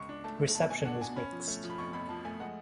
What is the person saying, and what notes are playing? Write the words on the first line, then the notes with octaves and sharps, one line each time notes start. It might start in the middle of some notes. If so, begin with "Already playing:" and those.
Reception was mixed.
Already playing: C#2 C#6
D4
A3 A5
A3
B2 A5
B2 G#5
D4 F#5
B2 G#5
C#4 B5
F3
A3
F3
B5
F2 C#6
F2 B5
F3 A5
A3 G#5
G#3 F#5